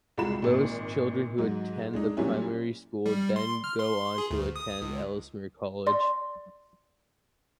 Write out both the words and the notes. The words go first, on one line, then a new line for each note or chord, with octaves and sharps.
Most children who attend the primary school then go on to attend Ellesmere College.
C2 G#3 F4 F#4 B5 E7
G#1 A#2
G#2 F#3
G#3 D4 D#4
A#2 F#3 G3 C#4 E4
G3
C6
F6
C6
G#4
D2
D#6
C#2
D5 C6